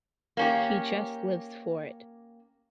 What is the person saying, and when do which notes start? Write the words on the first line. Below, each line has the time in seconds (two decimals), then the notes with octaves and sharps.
He just lives for it.
0.37 A#3 C#4 G4